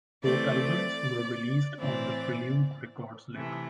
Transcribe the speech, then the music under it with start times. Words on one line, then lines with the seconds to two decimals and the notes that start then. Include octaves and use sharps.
Both albums were released on the Prelude Records label.
0.23 E3 A3 C4 D5
1.79 A2 E3 C4 D5
3.34 C3 E3 A3